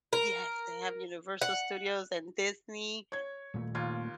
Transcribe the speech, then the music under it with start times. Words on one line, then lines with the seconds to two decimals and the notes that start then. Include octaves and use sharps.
Yes, they have Universal Studios and Disney.
0.13 A#4
1.41 F#5
3.12 C#5 G#6
3.54 D#1 A#2 A3
3.75 D#2 F4 G#6